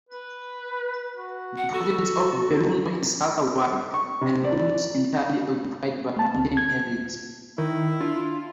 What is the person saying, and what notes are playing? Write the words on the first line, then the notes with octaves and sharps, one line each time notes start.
The province of Belluno is rather wide, and almost entirely occupied by mountain areas.
B4
F#4
F#5
F#4 A4
C#6
C3
D5
A5
D2
G#6
D#3 E4
D4 F4